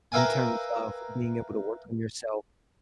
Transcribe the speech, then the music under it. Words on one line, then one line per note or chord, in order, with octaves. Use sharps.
in terms of being able to work on yourself,
A#4 B4 E5 F5 G5 G#5